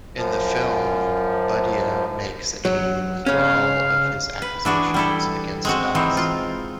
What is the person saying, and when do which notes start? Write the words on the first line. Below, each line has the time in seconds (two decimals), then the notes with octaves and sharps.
In the film, Budhia makes a withdrawal of his accusations against Das.
0.15 F#2 F3
2.65 F#3
3.26 C#3 C#4 F5
4.42 B4
4.65 E3 D4 F#4 G#4
4.94 G3 E4 A4
5.65 G#3 C4 F#4
5.95 E3 C4 D#4
6.17 F4